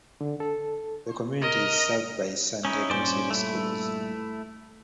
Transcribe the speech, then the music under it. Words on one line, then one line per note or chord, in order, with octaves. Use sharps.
The community is served by the San Diego City Schools.
D3
A4
A#4 D#5
C#4 D#4 E4
G2 A#2 C#4 C5 D5
A3 E4